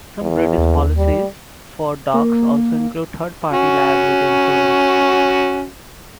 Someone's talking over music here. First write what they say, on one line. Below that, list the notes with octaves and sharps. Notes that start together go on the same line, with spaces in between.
Some British policies for dogs also include third-party liability insurance.
E2
D#2
G3
A#3
C#4 F#4